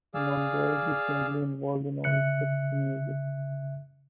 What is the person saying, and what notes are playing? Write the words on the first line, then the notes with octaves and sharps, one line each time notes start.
Monroig is currently involved in all of the aspects of music.
G#4 D5 F5 E6
C#3 E5 F#6 C#7